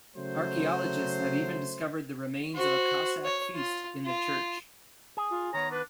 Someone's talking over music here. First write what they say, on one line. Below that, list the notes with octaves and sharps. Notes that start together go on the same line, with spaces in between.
Archaeologists have even discovered the remains of a Cossack feast in the church.
C#3 F#3 A3 C5
F#4 C5
C#5
F4
F4
G#4
F4
D#3 B3 C#5 A#5
D4 B4